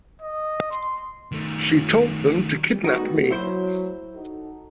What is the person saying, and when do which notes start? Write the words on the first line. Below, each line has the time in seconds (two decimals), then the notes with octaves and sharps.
She told them to kidnap me.
0.22 D#5
0.71 C6
1.32 D#3 A3
2.84 D#3 G3 B3 D#4 F#4
3.31 F#3 E4 C5
4.15 D#4 F#4 A4